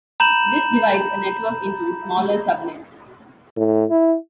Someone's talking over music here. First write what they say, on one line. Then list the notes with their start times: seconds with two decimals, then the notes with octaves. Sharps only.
This divides a network into smaller subnets.
0.20 A#5 B5 G6 E7 F#7
3.56 A2
3.90 E4